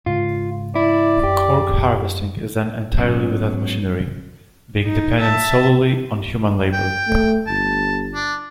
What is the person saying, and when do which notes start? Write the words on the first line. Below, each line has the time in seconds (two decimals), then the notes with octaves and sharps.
Cork harvesting is done entirely without machinery, being dependent solely on human labor.
0.06 G#2 C#3 G#3 F4
0.75 E4 D5
1.23 F#2 G4
2.98 G#2 F#3 B3 C#4
4.84 D#4
5.20 E5 A5
6.73 G5
7.08 A3
7.47 G1 A5
8.15 D4